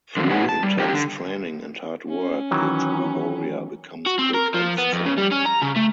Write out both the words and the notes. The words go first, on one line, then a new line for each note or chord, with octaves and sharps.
Through intense training and hard work the true warrior becomes quick and strong.
D3 D#3 F3 C4
A#2 D#4 B4 C#5 F#5 G#5
A5
G3
E2 D#4 G4 A#4 G5
D3
C#4
D#3 E3 F#3
F#4
C4
A#4
F3
B3
F2
C#3
G3
C#4
A#5
C#3
A3